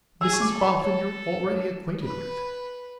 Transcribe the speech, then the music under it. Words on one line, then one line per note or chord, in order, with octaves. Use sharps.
'Mrs Boffin you're already acquainted with.
G#4 E6
C#6
D6
A4 A5
B5
A4 C#5
C#5
B4